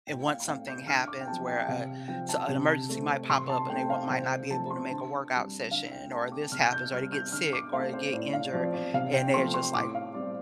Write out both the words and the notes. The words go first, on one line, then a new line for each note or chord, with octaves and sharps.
and once something happens where a so, an emergency might pop up and they want might not be able to make a workout session or this happens or they get sick or they get injured, and they are just, like
A2 G5
F5
A3 C4 F5
G6
D3 F6
D6
G5
F3 C4 A5
G5
C3 F5
F3 C4 G5
A5
C3
A3 C4
C3 C6
A5
A3 C4 G5
F5
C3 C5
F3 A3 C4 A5
C6
D3 A5
C4
G3
D3 F5
G5
A3 C4 A5
D6
C3 F6
G6
G3 C4 F6
G6
D3 F6
D6
A3 C4 F5
C5
A2 D5
F5
F3 C4 D5
D5
C3 F5
G5
F3 A3 C4 C6
C6
A2 D6
F5
G3 C4 D5